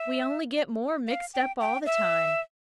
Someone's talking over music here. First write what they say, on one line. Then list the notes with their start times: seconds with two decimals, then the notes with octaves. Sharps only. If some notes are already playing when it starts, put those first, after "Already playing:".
We only get more mixed up all the time.
Already playing: E5
1.07 F5
1.34 G5
1.60 G5
1.86 E5